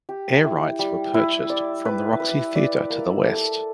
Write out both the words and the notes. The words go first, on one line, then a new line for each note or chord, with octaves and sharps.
Air rights were purchased from the Roxy Theatre to the west.
G4
E4
G3
E4
D5
B4
B4
D5
A#3
A4